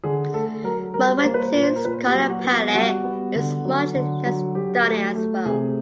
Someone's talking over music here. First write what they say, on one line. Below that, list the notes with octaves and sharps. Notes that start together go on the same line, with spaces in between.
Malfatti's color palette is much less stunning as well.
D3 G#4
A3 A4
F#3 A#4
G3 A#4
C5
A#3
B4
C5
A#2
C5
A#4
A#2 B4
G4
F#3
F#4
B3
F#4
G3 F#4
B3
D3
F#3
D3
F#3
F#3 G4
A3
A3
C3 G#4